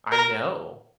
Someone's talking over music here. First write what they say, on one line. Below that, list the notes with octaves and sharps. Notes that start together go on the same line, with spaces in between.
I know.
A#4